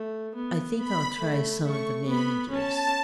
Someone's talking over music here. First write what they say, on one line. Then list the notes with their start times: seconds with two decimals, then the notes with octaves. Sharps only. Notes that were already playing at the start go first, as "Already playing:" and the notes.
"I think I'll try some of the managers."
Already playing: A3
0.35 B3
0.77 B3 B5
1.21 A3
1.65 A3 C#6
2.07 B3 B5
2.50 C#4 A5